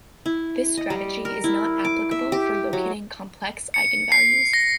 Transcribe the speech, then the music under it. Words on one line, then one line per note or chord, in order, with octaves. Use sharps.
This strategy is not applicable for locating complex eigenvalues.
E4
D#5
G3
A#4
E4
D6
E5
G4
F#3
C#7
C7
A#6